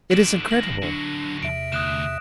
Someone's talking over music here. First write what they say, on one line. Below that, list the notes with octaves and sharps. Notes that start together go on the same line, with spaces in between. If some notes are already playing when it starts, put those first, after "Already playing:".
It is incredible!
E2 D3 D7 E7 F#7
D#2 A#6 F#7
D3 F#3 D4
E2 C3 E5 D7
D2 D#6 F#6 E7